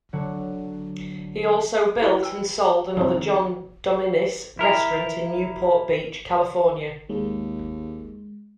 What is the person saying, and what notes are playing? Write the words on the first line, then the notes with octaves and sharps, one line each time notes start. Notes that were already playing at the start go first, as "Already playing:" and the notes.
He also built and sold another John Dominis Restaurant in Newport Beach, California.
D3 F#3 F#4
E4 F#4 B4 B5
G5 E6
C2 F3 C4 C#5
D#3
E4 A#4
D#2 G#3